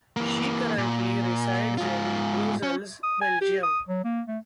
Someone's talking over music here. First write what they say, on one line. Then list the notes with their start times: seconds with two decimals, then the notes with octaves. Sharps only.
She currently resides in Brussels, Belgium.
0.16 E3 A#3
0.78 A#2
1.78 G#2 F4
2.63 C#4
3.03 D#6
3.21 G#5
3.41 G4
3.63 D#6
3.88 F#3
4.04 A#3
4.28 A3